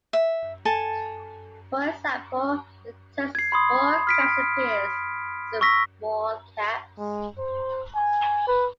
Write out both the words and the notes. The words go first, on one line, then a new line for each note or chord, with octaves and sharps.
For example, the "Text in small caps" appears as in small caps.
E5
A4 G#5 A5
G#6 C7
B5 C6 D#6
F6 B6 D7
C#6 E6 A#6 B6
G#3
C5
G#5
B4